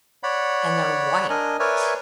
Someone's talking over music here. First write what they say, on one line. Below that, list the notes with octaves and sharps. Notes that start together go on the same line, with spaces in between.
and they're white,
C#5 D5 F#5 B5
D4 A#4 D#5 G#5
A#4 B4 C#5 D5 E5 G#5